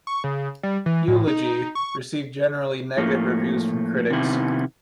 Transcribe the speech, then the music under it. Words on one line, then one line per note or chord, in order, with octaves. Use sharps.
"Eulogy" received generally negative reviews from critics.
C#6
C#3
G3
E3
A2
D#4
C#6
A2 F3 A3 A#3
C3 D#3 B3 E4